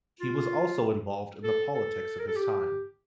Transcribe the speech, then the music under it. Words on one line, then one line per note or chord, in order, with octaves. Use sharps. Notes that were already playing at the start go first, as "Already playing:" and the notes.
He was also involved in the politics of his time.
F4
A4
A4
A#4
A4
G4